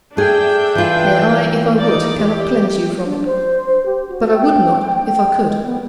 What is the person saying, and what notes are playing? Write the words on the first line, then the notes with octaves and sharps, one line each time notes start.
Nay, I, if I would, cannot cleanse you from it. But I would not, if I could.
A3 D4 G#4 E5 G5
E3 F4
D#4 D5
G4
D4
C5
G4
F#4
G5
G#3
B3